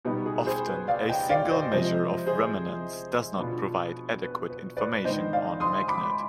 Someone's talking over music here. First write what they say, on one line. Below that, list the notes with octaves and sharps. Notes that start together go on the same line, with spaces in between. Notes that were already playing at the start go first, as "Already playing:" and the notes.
Often a single measure of remanence does not provide adequate information on a magnet.
B2 G3 B3 D#4
G#4
G#4 C5
B4
D5 F5
D#5 G5
D5 F5
C5 D#5
C3 F3 G#3 C5 D#5
G#4 C5
B2 B3 D4 F4
B4
B4
B4 D5
G#2 D#3 B3 D4 C5 D#5
D5 F5
C6 D#6
B5 D6